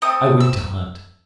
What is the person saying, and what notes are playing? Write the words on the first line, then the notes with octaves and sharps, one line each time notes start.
I went to hunt.
A3 C4 D#6
E6